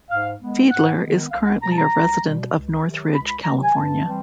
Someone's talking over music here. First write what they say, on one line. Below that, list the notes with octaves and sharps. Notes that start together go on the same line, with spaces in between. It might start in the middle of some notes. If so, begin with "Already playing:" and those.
Fiedler is currently a resident of Northridge, California.
G#2 F5
D#3 G#3 B3
G#2 F#5
D#3 G#3 B3
C2 F5
F#5
B2 G3 A#5
A5
A#5
C2
B2 G3
C#2
C3 D#3 F#3
C#2 B5
B5
C3 D#3 F#3 A#5
G#5
G2 A5
E3 G3 C4